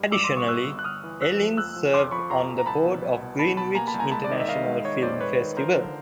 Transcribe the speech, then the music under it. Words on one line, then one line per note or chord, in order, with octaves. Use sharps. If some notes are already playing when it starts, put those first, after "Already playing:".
Additionally, Ellin serves on the board of the Greenwich International Film Festival.
Already playing: G2 G3
G2 D6 E6
C6 D6
G1
C#6 D#6
G1 E6 F#6
G1
F#6
G1 D#6 F6
E3
F2 E6 F#6
F3
F2 E6 F#6
F3
F2 C6 D6
F3 B5 C#6
F2 A#5 C6
F2
A#5
C2 A5 B5
B2
C2
B2
B2 A5 B5
B2 A5 B5
A#3 G#5 A#5
A5 B5
C2
G#5 A#5
G#3 A5 B5
D5
D#3 D#5
E5
D#3 D#5 F5
G#3
D#3 C#5 D#5
F2 C5 D5
G#3 B4 C#5
D#3
F3 A#4 C5
D3